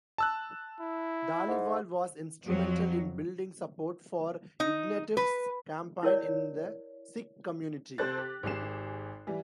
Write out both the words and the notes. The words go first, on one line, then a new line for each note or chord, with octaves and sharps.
Dhaliwal was instrumental in building support for Ignatieff's campaign in the Sikh community.
A5 E6 F#6
E4
G#2
F2 F3 F#3
D#4
B4
E4 A#4 C#5 D5
C3 C4 A4 C5 F#6 A6
G4
G#1 G4 G#4 C7 E7
E3 G3